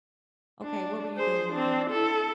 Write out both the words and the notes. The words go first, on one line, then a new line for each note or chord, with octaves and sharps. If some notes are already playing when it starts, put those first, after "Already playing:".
"Okay. What were you doing?
D4
G#4 C5
C4 D4
E4 A4